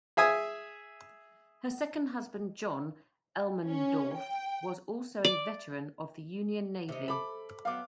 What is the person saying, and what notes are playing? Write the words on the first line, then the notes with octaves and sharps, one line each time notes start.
Her second husband John Elmendorf was also a veteran of the Union Navy.
G#4 E5 G#5 D#6
C#4
G5
D5
C3 D#4
A4 B5 D6
F#2 B3 F5 D6